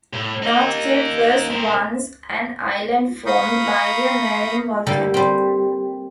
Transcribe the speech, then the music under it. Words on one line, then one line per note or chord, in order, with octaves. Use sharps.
North Cape was once an island formed by a marine volcano.
A2
A#3 D#4
C4 A#4
F5 A#5 B5 C#6 D#6 G6
D3 G3 A#3 A4 D5
G3 C4